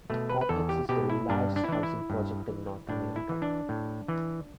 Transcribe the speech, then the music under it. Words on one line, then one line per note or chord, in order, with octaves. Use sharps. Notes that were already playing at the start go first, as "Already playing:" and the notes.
The complex is the largest housing project in North America.
B2 A3
B4
B4
E2 A4
G4
B2 G4
E4
G2 D4
D4
E4
E3 D4
E4
G2
E3
A2 D4
E4
E3
D4
A2
E3